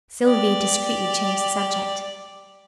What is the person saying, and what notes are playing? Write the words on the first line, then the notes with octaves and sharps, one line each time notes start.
Sylvie discreetly changed the subject.
G4 D5